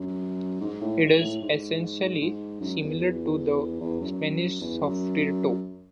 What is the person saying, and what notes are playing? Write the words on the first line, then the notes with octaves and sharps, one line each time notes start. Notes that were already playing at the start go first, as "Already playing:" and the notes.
It is essentially similar to the Spanish sofrito.
Already playing: F#2
G#2
A2
G#2
A2
G#2
G#2
F#2
E2
E2
F#2
E2
F#2